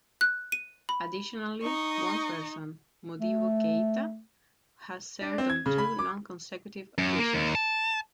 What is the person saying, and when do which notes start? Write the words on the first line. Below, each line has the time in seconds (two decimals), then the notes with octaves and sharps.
Additionally, one person, Modibo Keita, has served on two non-consecutive occasions.
0.21 F#6
0.52 D#7
0.89 B5
1.62 D#4 D#5 C#6
3.19 A3
5.21 D4
5.38 C4
5.50 G#6
5.66 C#3
5.78 B5
5.99 D6
6.98 F#2
7.19 A#3
7.34 D#2
7.55 A5